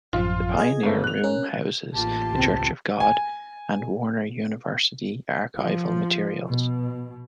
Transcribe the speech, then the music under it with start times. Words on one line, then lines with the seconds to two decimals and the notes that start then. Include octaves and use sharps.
The Pioneer Room houses the Church of God and Warner University archival materials.
0.13 A1 F#2 F3 F4
0.57 G#4 D#5 G#6
0.83 G1 A3 B3
1.04 F#6 F7
1.24 C#4 A#4
1.94 A1 A#3 F4 G4 A5
2.32 C#2 B2 C4
3.00 G#5
5.55 F3
6.47 B2